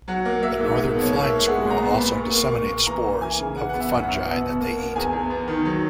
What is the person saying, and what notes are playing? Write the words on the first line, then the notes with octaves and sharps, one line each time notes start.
The northern flying squirrel also disseminates spores of the fungi that they eat.
F#3 F#5
A#3
A#3 E5
G#2
A#3
B2
C#5
A#3
E5
A#3
G#3 F#5
A#2
A#5
B3
B5
A#2
A#3 C#6
A#3
A#2 C#6
A#3
E3 A#5
E3
E3 G#5
C#3
E3 F#5
B3 F#5
E5
F#2
F#5
F#2
B2
B2
A#3
A#3
E2 G#5
E2
B3
D#3
F#3